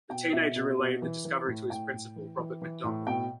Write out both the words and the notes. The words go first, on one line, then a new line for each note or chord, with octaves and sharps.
The teenager relayed the discovery to his principal, Robert McDonald.
B2 G5
B2 E5
B2
B2
E3
E3
A2
A2 G5
A2
E3
E3
E3
A2
B2 G5